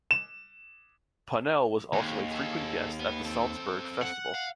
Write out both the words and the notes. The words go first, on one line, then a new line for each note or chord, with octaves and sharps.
Ponnelle also was a frequent guest at the Salzburg Festival.
E7
D#2 G#3 C4
G#4 A4
B3
C4 A4
F#5
F5